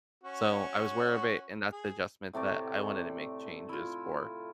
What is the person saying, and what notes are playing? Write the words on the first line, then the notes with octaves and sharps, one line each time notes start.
So, I was aware of it, and that's the adjustment that I wanted to make changes for
C#4 F#4
G#4
A2 C3 A3 D5
E4 F4